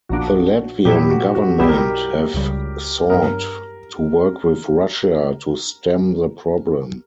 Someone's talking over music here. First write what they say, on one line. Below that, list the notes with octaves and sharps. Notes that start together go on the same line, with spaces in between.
The Latvian government have sought to work with Russia to stem the problem.
A#1 A#2 A#3 D4 F#4
A#1 A#2 F#3 B3 E4 G4
F#4
F#4
B1 B2 G3 B3 E4 G4
A#4
G4
C#2 C#3 G3
G2 F#3 B3 A#4